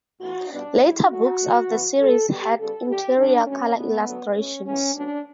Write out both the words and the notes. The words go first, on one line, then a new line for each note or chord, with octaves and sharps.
Later books of the series had interior color illustrations.
A2 E3 B3 F#4
B2 G3 B3 D4
A2 F#3 B3 E4
A2 F#3 A3 F#4
A2 F#3 A3
C#3 E3 B3
D3 F#3 A3 A4
B2 G3 B3 G4
C#3 G3 B3 A4
D3 A3 G4
D3 G3 B3 D4
A2 F#3 B3 C#4
D3 A3 B3
D3 F#3 A3
B2 A3 C#4
C#3 E3 B3 C#4
A2 F#3 B3 D4